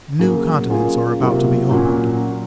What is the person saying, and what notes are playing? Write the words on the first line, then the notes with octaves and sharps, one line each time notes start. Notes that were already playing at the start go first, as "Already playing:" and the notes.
New continents are about to be opened.
C#3 F#3 A#3
A#3 C#4 F4 G#4
C3 F#3 A#3 F4
A#2 F#3 A#3 C#4